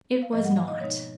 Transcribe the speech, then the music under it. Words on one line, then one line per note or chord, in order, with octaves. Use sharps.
'It was not.
F5
G#2 F3 A#3 D#5
F#5
F5
D#5
B2 G#3 B3 D#4 C#5